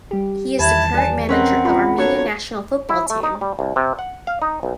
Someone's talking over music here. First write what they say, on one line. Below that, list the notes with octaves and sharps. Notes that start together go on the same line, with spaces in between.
He is the current manager of Armenia national football team.
G3 G4
E2 D#3 E3 E5 A5 B5 G#6
B4 D5 G#5
C4 C#4 A#4 B4 D#5 F#5 A#5
F4 A#5 B5
D4 F#4 A4 C#5
E4
A3
D#4
G3
C2
C3
F#5
F5
D#4
B1